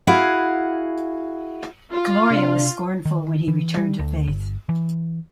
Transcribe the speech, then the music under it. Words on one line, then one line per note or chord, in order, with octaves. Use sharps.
Gloria was scornful when he returned to Faith.
E4 F#4 G#4 F5 F#5
F4
C3 D4
D#3
E3
G3
D2
G1
E3